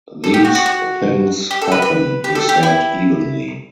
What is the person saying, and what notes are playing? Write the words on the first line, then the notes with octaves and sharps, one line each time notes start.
"These things happen," he said evenly.
A4
G4
F#4
F#4
F#4
G4
A4
B4
B4
G4
A4
G4
E4